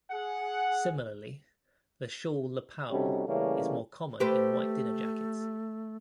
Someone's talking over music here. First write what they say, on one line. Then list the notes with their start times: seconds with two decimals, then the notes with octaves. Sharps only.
Similarly, the shawl lapel is more common in white dinner jackets.
0.11 G#4 F#5
2.92 C3 G3 C#4 D#4 F#4 A4
3.28 C#3 E3 G3 A3 A#3 C#4
4.20 A3 G4 B4 C5